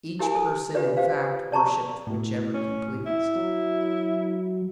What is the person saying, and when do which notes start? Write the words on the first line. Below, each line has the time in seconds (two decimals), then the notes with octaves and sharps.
Each person, in fact, worshipped whichever he pleased.
0.19 E4 G4 A#4 G#5
0.35 A4
0.75 F4 G4 B4 D5
0.97 G4 C5 F5
1.52 D5 A5 A#5 C#6
2.07 A2
2.54 C#4
3.06 E4
3.36 F#3